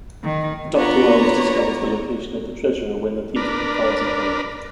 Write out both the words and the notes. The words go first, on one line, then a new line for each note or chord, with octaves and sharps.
Doctor Wells discovers the location of the treasure when the thief confides in him.
D#3
B3 D4 F4 C#5 D5 A#5
D4 A#4 B4 D5